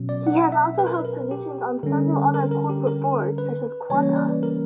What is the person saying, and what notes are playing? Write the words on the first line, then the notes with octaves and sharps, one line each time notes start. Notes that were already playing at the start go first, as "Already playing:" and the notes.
He has also held positions on several other corporate boards, such as Qantas.
Already playing: B2 F#3 C#4
D5
F#5
E5
B4
A#4
B4
A#4
G4
D3 G3 C#4 A#4
A#4
A#4
G4
A#4
B4
C#3 E3 G3 A#3 C#4 C#5
C#5
D5
B4
A#4